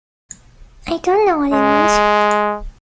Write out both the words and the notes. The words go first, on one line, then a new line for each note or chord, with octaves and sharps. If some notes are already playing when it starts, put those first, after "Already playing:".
I don't know what it was.
G#3